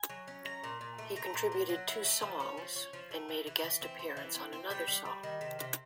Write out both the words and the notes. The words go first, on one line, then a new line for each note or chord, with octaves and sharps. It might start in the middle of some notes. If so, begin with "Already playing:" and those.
He contributed two songs, and made a guest appearance on another song.
Already playing: G#5
F#3
C#4
F#3 A#5
A#2
A#2
A3
A3 A#5
A#2
F#3
F#3
E4
A3
F3
C#4
F3
C#4
F3
A3
E3
E3
E3
C4
C4
E3
C4
C4
G3 G5
G3
G3
D#3
C3
C3